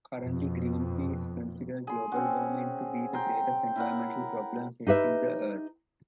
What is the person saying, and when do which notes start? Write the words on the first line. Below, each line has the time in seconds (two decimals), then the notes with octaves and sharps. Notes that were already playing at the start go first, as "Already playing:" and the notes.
Currently Greenpeace considers global warming to be the greatest environmental problem facing the Earth.
0.20 F2 B2
1.87 G#4 C6
2.12 C4 C#4 F#4
3.13 G5 A#5 C6
3.76 E4 A#4 C#5 F#5
4.87 D#4 G4 B4 E5